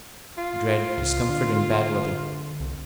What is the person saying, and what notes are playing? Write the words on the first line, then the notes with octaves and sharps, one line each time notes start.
I dread discomfort and bad weather.
F4
C#2
D3
C2